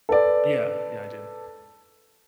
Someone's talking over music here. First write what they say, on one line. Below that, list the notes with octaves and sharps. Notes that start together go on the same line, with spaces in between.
Yeah, yeah, I do.
A4 B4 D5